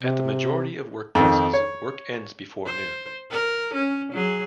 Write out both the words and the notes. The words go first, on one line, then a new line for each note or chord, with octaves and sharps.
At the majority of workplaces, work ends before noon.
C3
F2 D#3
C#5
C5
A#4
C#4
F#3 G#4